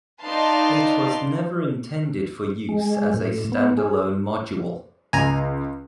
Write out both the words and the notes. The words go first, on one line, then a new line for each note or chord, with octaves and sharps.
It was never intended for use as a stand alone module.
D#4 B4 D5 F5 A5 C6
G#3
A2
B3
G#4
C#2 G#5 A#5